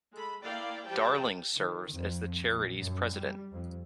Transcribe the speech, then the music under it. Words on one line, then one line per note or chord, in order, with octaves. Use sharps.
Darling serves as the charity's president.
G#3 A4 B5
A#3 E4 D5 F5 G5
F3 G3 G4 G5 A5
D#3
F2
A#1
F#2
G3
F2